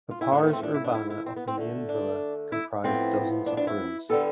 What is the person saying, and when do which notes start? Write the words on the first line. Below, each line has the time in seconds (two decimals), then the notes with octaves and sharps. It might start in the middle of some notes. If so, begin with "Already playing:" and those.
The "pars urbana" of the main villa comprised dozens of rooms.
0.11 F4
0.21 E4
0.32 A2 F3 A3 D4
0.43 B3
0.53 C4
0.63 D4
0.74 E4
0.84 D4
0.95 E4
1.10 E4
1.26 C4
1.36 B3
1.47 C4
1.57 D3 A3
1.89 D4
2.52 E4
2.84 A2 F3 B3 C4
3.46 D4
3.57 D4
3.67 E4
4.09 D3 G3 B3 A4